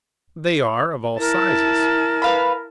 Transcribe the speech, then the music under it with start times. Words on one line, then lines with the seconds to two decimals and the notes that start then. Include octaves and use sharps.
They are of all sizes.
1.19 E4 A#4 A5
2.22 B4 F5 B5